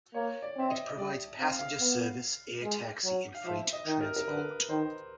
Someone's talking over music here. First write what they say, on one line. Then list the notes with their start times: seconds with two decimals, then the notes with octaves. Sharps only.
It provides passenger service, air taxi, and freight transport.
0.14 A#3 C#5
0.42 D5
0.56 C4 E5
0.70 D#5
0.89 D#5
0.97 G3 D5
1.39 C4 F5
1.59 F5
1.80 B3
2.63 G#3
3.04 F#3
3.34 F5
3.45 F3 E5
3.73 D#5
3.86 D#3
4.01 A#4
4.16 A#4
4.28 D3 B4
4.69 D#3 C5